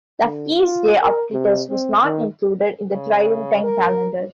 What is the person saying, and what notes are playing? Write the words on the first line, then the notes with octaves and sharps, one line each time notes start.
The feast day of Titus was not included in the Tridentine Calendar.
D3
F4
A#4
C3
C4
D#3
C#3
A#4